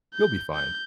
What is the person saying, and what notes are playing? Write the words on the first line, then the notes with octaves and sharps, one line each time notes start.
"You'll be fine."
G6
G6